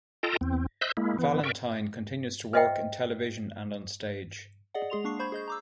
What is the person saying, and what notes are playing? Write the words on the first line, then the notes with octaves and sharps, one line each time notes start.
Valentine continues to work in television and on stage.
F4 A4 D#5 G5 A5 A#5
E2 C4
C5 D#5 E5 E6 F#6 G6
G#3 A#3 E4
E3 B3
A#4 D5 E5 G5 C#6
B4 C5 D#5 E5 F#5 G5
G#4 D5 D#5 F#5
G#3 G#4 C6 F7
A#3 D4 C#6 C7
C5 B5 C#6 G6 G#6
G#4 D#5 G6
A#5 D6 E6